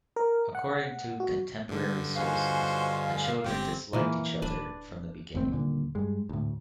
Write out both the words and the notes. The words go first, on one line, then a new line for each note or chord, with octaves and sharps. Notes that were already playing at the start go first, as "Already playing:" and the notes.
According to contemporary sources, the children disliked each other from the beginning.
A#4
F#5
F#4
G2 D3
D#4 F4 F#4 C5 F5 G#5
G1 C4 G4 A#6
A#2 E3 A#3
D1 D4 B4
F#1 D#2 A2 C4
D#1 B1 A#2 D3
G2 G#3
D2 A2